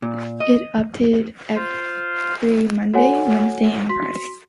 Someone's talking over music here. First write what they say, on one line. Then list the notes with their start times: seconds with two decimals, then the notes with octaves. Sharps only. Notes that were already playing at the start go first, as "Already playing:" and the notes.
It updates every Monday, Wednesday, and Friday.
0.02 A#2
0.40 D#5
1.56 F4 C5 F5
2.94 F#4 A4 C#5 F#5 G#5
3.89 F#4 C6 B6